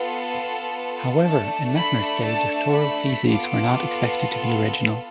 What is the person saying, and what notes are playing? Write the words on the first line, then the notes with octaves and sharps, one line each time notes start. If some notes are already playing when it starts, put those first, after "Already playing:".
However, in Mesmer's day doctoral theses were not expected to be original.
Already playing: B3 F4 A4
A5
A3 D4 A4 A5
B5
A5
B5
B3 F4 A4 D6